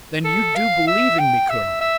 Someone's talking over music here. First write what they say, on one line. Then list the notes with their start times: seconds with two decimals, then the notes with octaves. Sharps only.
"Then you do believe in me, Colonel?"
0.24 A4
0.56 F5
0.88 E5
1.19 G5
1.50 E5
1.81 E5